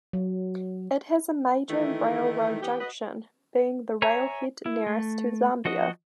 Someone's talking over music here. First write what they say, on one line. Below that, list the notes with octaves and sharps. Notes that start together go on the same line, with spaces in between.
It has a major railroad junction, being the railhead nearest to Zambia.
F#3
D#3 E3 A3 D#4 E4
E3 B3 G4
F#4 B4 D#5
C#5 E5 G#5 A#5
E4
A3
F3 F#4 D#5 F#5 D#6